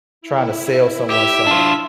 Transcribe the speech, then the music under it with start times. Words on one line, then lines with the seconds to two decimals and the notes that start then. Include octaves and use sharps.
trying to sell someone something.
0.21 E4
1.10 G4 E5
1.47 D4 F4